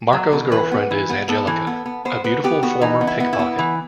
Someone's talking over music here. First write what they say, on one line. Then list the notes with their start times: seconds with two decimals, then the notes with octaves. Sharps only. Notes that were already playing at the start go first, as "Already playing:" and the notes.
Marco's girlfriend is Angelica, a beautiful former pickpocket.
0.13 F#3
0.33 B2
0.52 E3 B4
0.72 B3
0.91 E3
1.10 B3
1.28 B3 A4
1.47 E3
1.67 B3
1.86 B3
2.05 B3 C5
2.24 B3 B4
2.44 B3 G4
2.63 B3 F#4
2.81 E3 D#4
3.01 B3
3.07 E4
3.20 B3
3.33 E4
3.39 B3
3.59 E3